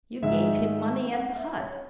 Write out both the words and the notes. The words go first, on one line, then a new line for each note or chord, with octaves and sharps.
You gave him money at the hut.
G#2 D#3 G#3 E5
F#5
E5
C#5